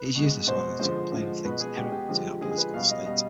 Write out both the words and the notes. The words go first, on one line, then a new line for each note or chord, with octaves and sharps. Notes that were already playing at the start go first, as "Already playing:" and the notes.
It is useless however, to complain of things inherent in our political state.
Already playing: B4
B2 G#3
B2 G#3 C5
D3 F3 G#3 C5
D3 F3 G#3
B2 G#3 B4
G#4
B2 G#3 G4
G4
D3 F3 G#3
D3 F3 G#3 G#4
G#4
B4
B2 G3 F5
D#5
B2 G3 D#5